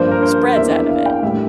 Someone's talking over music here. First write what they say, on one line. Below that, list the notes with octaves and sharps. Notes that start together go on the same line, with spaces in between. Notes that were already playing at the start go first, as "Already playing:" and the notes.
spreads out of it.
Already playing: G2 F3 A#3 D4 C5
A#4
C5
E2 E3 A#3 D4 E5
F5
G5
A2 G3 A#3 D4 E5